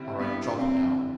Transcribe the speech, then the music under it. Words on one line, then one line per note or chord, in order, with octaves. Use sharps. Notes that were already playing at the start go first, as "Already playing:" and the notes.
All right, drop it now.
Already playing: D3 G3 C4 E4
B3
C4